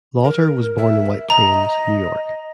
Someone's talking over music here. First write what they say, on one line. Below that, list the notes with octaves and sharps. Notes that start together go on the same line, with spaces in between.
Lauter was born in White Plains, New York.
A#4
E5
D#5 A#5